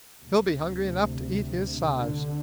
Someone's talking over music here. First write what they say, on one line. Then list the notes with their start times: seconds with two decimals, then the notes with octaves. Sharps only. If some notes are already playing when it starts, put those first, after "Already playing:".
"He'll be hungry enough to eat his size."
0.19 D2 C3
1.77 D3